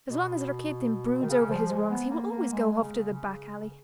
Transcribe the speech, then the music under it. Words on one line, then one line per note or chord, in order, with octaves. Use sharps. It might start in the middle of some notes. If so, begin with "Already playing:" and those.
As long as Rakitin broods over his wrongs, he will always go off to the back alley....
B2
D#3
C#3
F3
G#3
B3
A#3
A#3
G#3
C#3
C#3